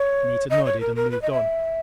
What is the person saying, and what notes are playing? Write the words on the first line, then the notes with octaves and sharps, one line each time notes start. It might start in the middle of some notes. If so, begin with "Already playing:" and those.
Anita nodded and moved on.
Already playing: C#5
D#5
C#5
A#4
A#4
B4
D#5
E5